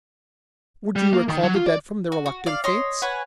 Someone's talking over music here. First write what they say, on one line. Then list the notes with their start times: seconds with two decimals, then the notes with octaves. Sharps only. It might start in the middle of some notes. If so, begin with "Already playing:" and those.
Would you recall the dead from the reluctant fates?
0.96 G3
1.13 A#3
1.28 D#3
1.43 F#3
1.55 F4
1.66 D5
2.12 F#4
2.26 F#4
2.46 D5 F5
2.64 C#5 D#5 C6
3.02 B4 C#5 F#5 G#5